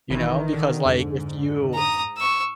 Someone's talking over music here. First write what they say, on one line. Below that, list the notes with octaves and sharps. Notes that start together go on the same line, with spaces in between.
You know, because, like, if you
G#1 D#3 E3
D3
F2 G#2
A#5 D#6
C#6 E6